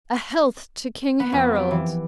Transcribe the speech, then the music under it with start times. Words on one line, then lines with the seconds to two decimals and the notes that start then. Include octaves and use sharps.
"A health to King Harald!"
1.20 B3
1.32 F2
1.55 G4
1.71 E3